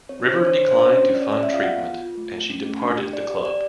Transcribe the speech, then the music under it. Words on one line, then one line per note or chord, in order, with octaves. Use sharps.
River declined to fund treatment and she departed the club.
C4 C#5
D4 C5
C5
D4
C#5
D4 C#5
C5
D4
C#5
C#4
C#4
D5
C#4 C#5
D5
G#4
E5
F4 F5
F#5
B3
F4
F4
A3
A3
C#4
A3
D4
G4
G4 D5
G4
G4 D5